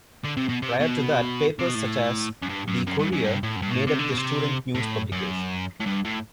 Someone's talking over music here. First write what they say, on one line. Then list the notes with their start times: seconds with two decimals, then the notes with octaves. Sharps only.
Prior to that, papers such as "The Courier" made up the student news publications.
0.24 D3
0.37 C3
0.49 B2
0.62 C3
0.80 B2
1.59 C3
1.66 B2
1.75 A2
2.43 F#2
2.50 G2
2.68 F#2
2.87 F#2
2.99 G2
3.12 F#2
3.24 G2
3.43 A2
3.56 F#2
3.62 G2
3.70 B2
3.74 A2
3.87 C3
3.99 D3
4.10 B2
4.17 C3
4.74 A2
5.12 F#2
5.80 A2
5.86 G2
6.05 A2